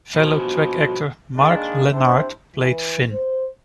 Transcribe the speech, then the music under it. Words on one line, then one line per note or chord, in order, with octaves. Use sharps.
Fellow Trek actor Mark Lenard played Finn.
B2 F3
D#3 G#3 A#3 D4
C3 D4 E4 C5
E3
C5